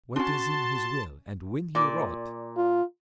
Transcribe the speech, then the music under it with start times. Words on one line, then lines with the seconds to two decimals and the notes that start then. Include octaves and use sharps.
What is in his will, and when he wrote?'
0.16 C#4 D4 F#4 A5 C6
1.75 A#2 D5
2.57 F4